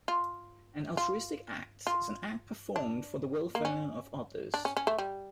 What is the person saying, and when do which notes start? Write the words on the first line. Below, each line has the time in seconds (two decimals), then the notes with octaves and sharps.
An altruistic act is an act performed for the welfare of others.
0.08 F4
0.97 F4
1.87 F4
2.76 D4
3.55 A#3
3.65 C#4
4.54 D4
4.65 C#4
4.77 C#4
4.87 A3
4.98 G3